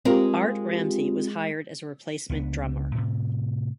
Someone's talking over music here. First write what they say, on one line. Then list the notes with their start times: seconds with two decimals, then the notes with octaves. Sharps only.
Art Ramsey was hired as a replacement drummer.
0.05 G#3 C4 F4 G4 A#4
2.29 C#2 B3 D4
2.95 A2 C3